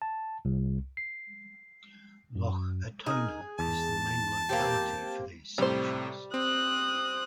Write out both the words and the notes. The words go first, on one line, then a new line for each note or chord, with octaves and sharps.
Lough Atona is the main locality for these species.
A5
C2
C7
F#2
D#4 G#4 A#4
E2 A5
A#3 C4 G4
A2 C3 G3 C5
C4 D#6 F#6